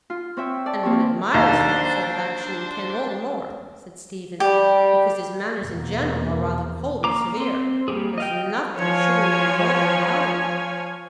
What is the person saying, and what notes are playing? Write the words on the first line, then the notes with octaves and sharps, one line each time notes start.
"And one admires that sort of action in Kenn all the more," said Stephen, "because his manners in general are rather cold and severe. There's nothing sugary and maudlin about him."
F4
C4 C#5 E5 G5
D5 A5
A#3 C4 G4 C#5
D#2 D4 C5
G3 G4
E2 B2 A#3
A#3 A#5 D6
C4 C6
G3 A#3 C#4 G4 G#4
D#5 F5 G5
F3 C#5 F5 G#5